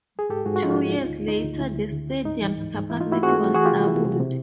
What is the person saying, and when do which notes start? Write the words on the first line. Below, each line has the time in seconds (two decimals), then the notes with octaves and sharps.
Two years later the stadiums capacity was doubled.
0.19 G#4
0.30 G#2 G4 A4
0.46 G#2 F#4 G#4
0.56 F#4
0.62 F3 D#4 F4
0.79 G#2
0.95 D2
1.11 D2
1.27 D2 D#4
1.44 D2
1.60 D2 E4
1.76 D2
1.92 D3
2.09 D2
2.25 G#2 D#4
2.41 E3
2.57 G#2
2.74 G#2
2.90 E3 E4
3.00 D#4 F4
3.06 A3
3.12 E4 F#4
3.23 C4 F#4 G#4
3.40 A3
3.55 E3 F#4 G#4
3.65 F4 G4
3.72 C3
3.87 E3 E4
4.05 C3
4.20 C3